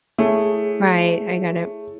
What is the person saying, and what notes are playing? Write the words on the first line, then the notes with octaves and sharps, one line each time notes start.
Right, I get it.
A3 E4 G#4 C#5